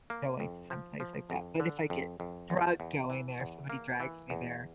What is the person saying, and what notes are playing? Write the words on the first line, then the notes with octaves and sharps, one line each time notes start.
going to some place like that. But, if I get drug going there, somebody drags me there,
A#3
F2
F3
F3
F2
D3
F2
F2
E2
E2
E3
E2
A#3
E3
E2